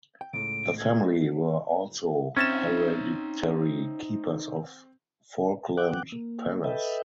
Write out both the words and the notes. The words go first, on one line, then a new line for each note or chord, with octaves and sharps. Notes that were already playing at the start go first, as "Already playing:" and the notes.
The family were also hereditary keepers of Falkland Palace.
G5
C#2 A2 C#3 D7
G#6
C4 C#4 D#4 E5 A6 E7
F#5 G5 D6 F#6
A#3
A4 B4 D#5 E5 G5